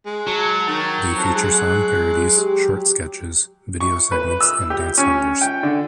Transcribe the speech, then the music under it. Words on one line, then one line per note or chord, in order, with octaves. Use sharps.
They feature song parodies, short sketches, video segments and dance numbers.
G#3
F#3 A5
D#3 A6
F2 A5
G#3 F#6
G4
C#6
B4
E6
G4
C#4
G5
D3